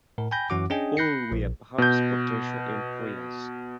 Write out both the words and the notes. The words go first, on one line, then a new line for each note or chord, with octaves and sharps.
All were perhaps potential employers.
A2 A#4
G5 G#5 B5 G6 A#6
F#2 E3 C#4 F#4 F#5 D6
C#4 D4 G#4 D#5 G5 G#5
B5 F#6 G6 A#6 C7 C#7
A#1
B2 G6